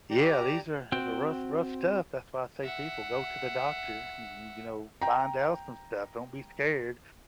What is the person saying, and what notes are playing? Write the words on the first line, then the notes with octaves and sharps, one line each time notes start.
Yeah, these are as a rough, rough stuff that's why I say, "People, go to the doctor, y y you know, find out some stuff don't be scared."
G4 D5 A#5
C4 F#4 G5
E5 F#5
G5 A#5